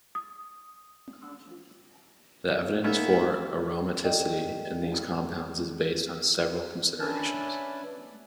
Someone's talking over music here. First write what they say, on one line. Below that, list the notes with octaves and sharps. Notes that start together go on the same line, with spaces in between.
The evidence for aromaticity in these compounds is based on several considerations.
D#6
A#3 B3 C#4 D#4 E5
G4 A4 A#4 D5 D#5 G5
C#4 D4 B4 E5 G#5 A5